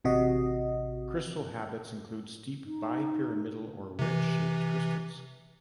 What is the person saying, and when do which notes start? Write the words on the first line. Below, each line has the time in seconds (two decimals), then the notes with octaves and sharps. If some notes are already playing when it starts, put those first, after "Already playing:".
Crystal habits include steep bipyramidal or wedge-shaped crystals.
0.04 A1 C3 F#4 D#5
2.65 D#4
3.99 C3 E3